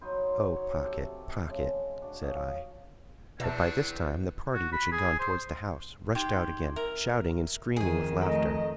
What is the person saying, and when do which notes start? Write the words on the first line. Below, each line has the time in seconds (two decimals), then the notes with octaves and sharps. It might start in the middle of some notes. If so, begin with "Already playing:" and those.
"Oh, Pocket, Pocket," said I; but by this time the party which had gone towards the house, rushed out again, shouting and screaming with laughter.
0.01 F#3 D#4 B4 C5
0.56 C#5
0.83 C3 E3 G4 A4
1.47 C#3 G#3 A5
2.02 D4 F#4
2.22 C#4 F#4 D#5 F5
3.40 E2 B2 B3 C4 D4 E5 A5
4.54 F#4
4.73 B5
4.92 G#4
5.19 C5
6.15 D#4 G4 C6 G#6
6.76 A#4 E5
7.76 F2 D#3 G#4 G#5
8.21 A3 A4 D#5 A#5